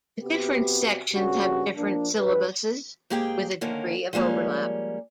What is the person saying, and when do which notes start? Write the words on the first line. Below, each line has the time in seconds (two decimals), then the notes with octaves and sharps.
The different sections have different syllabuses with a degree of overlap.
0.23 C3 B3 F#4 G4
1.13 G2 A#2 C#3 F#4
1.76 F3 A#3 D4
2.16 G2 B4
3.10 G#2 A#3 G4 G#4 G5
3.61 D3 D#3 A#3 C#4
4.13 F3 G3 G#3 A#3 C#4